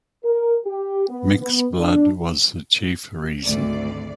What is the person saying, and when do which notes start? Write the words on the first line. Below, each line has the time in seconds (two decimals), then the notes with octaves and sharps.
Mixed blood was the chief reason.
0.25 A#4
0.66 G4
1.09 B3
1.41 B3
1.79 D4
3.44 G#1 D2 D5